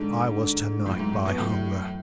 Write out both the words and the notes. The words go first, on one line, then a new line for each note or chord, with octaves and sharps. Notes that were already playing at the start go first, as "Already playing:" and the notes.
I was to-night, by hunger.
Already playing: G#2 D3 G#3 D4
D3 G#3 D4
F#2 A2 E3 A3
G#2
A2
B2
F#2 A2 E3 A3